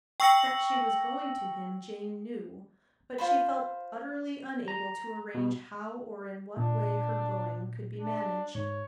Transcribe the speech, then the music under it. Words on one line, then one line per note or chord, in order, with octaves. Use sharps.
That she was going to him, Jane knew; but she felt utterly unable to arrange how or in what way her going could be managed.
G5 C#6 E6 A#6 C#7 F#7
F4 C5 B5
A#5
B2
A#2 D4
D4
G#2 C#5